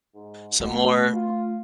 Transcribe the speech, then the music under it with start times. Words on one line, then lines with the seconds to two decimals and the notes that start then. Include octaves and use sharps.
so more m
0.15 G#2
0.60 B2 A3
1.12 F4